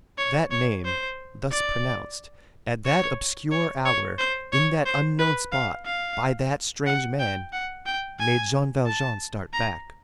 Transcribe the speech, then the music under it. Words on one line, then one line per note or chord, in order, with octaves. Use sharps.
That name, thus pronounced, at that obscure hour, in that unknown spot, by that strange man, made Jean Valjean start back.
C#5
C#5
C5
D5
C#5
C#5
C#5
C5
C#5
C5
B4
F5
F5
F#5
G5
F#5
G5
G#5
A5
A#5